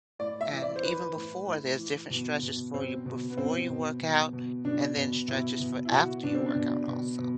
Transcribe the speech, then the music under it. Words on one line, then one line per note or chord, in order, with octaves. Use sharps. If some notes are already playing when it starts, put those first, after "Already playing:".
and even before, there's different stretches for you before you work out and then stretches for after you work out also.
A2 D5
E5
E3
D5
C5
E3 B4
A2
A2
E3
B2
B2
B2 C4
B2
B3
B2 C4
B2
B2
B2
B2 D4
B2
B2 E4
B2
E4
B2 F#4
B2 D4
C4
D4
B2
B2
B2